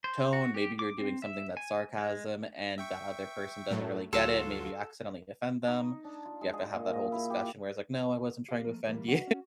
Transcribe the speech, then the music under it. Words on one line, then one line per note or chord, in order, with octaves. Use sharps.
tone. Maybe you're doing something that's sarcasm, and that other person doesn't really get it, maybe you accidentally offend them, you have to have that whole discussion where it's like, "No, I wasn't trying to offend you.”
C5
F#4
G4
D6
C4
E5
G#5
G#3
E5 G5 C#6
A2 F#3 A3
D2 F#3 F4 F#4 A4 F5 C6
D#4
D4
F4
G#3
G#4
A#2
D#5
E4
G4
G4 F5
F3 A3 A#3
C2 E3 G3 A#3
F#4
C#4